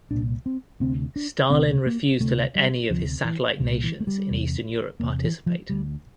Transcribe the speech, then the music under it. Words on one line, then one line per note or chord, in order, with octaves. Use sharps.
Stalin refused to let any of his satellite nations in Eastern Europe participate.
C2 A#2 D4
C4
D2 C3 C4
D4
D2 C3 C4
A#3
D2 C3 A3
G3
D2 C3 F3
E3
C2 A#2 D3
E3
A3
G3
E2 C3
E2 C3 A#3
E3
F3
D2 D3 G3